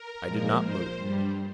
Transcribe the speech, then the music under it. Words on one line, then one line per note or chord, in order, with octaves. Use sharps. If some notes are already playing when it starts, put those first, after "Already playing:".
I did not move.
Already playing: A#4
A#2 F3 G#3
C5
G2 G3